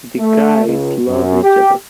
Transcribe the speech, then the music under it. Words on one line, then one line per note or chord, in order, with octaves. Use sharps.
The guys love each other.
A3
C#2
F#2
G4